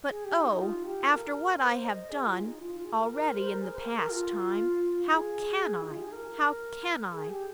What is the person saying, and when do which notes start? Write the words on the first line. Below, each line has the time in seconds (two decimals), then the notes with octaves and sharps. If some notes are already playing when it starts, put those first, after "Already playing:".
But, oh, after what I have done already in the past time, how can I? how can I?
0.09 G#4
0.25 G4
0.43 D#4
0.59 F4
0.84 G4
1.09 A#4
1.59 C5
1.85 D#5
2.10 G#4
2.27 F4
2.44 D#4
2.60 F4
2.73 F4
2.85 G#4
2.97 A#4
3.10 A#4
3.34 C5
3.47 A#4
3.60 G#4
3.73 C5
3.78 A#4
3.94 A#4
4.11 F4
5.12 G#4
5.82 D#4
5.90 F4
5.97 G4
6.04 G#4
6.12 A#4
7.12 G#4
7.29 G4